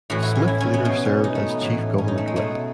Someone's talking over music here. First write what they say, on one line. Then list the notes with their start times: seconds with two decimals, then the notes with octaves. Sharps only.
Smith later served as Chief Government Whip.
0.10 A2 E3 F#4
0.23 E4
0.35 C#4
0.48 E4
0.61 C#4
0.74 B3
0.85 B2 C#4
1.05 C#4
1.24 D#4
1.35 A3
1.49 B3
1.61 A2 E3
1.98 C#4
2.08 D#4
2.18 A3
2.28 G#3
2.36 B2 A3